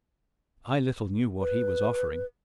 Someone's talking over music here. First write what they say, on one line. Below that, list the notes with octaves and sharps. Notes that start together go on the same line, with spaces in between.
I little knew what he was offering.
B4